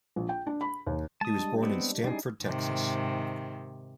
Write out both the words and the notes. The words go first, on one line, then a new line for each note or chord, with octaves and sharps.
He was born in Stamford, Texas.
A#1
G5
D4
B5
D#2
G#3 A5 D#6
G3 D4 G4
B3 C4
G3 C#4 D#4 E4 G#4
G#2 C3 D#3